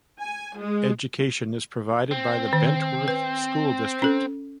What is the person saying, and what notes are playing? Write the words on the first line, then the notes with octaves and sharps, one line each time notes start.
Education is provided by the Bentworth School District.
G#5
G#3
C4
D#3
B4
C#4 A4